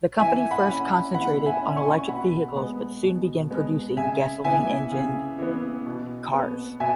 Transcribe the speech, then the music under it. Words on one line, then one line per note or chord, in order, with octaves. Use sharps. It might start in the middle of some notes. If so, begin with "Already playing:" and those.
The company first concentrated on electric vehicles but soon began producing gasoline-engined cars.
E3 E5 G#5
F#5 B5
C#4
E3 F#5 B5
E5 G#5
C#4
G#5 C#6
B2 F#5 B5
G#3 B3
B2
G#3 B3
C#3 E5 G#5
E3 B3 E5 G#5
C#3
E3 B3
B2
B3
B2 E5 G#5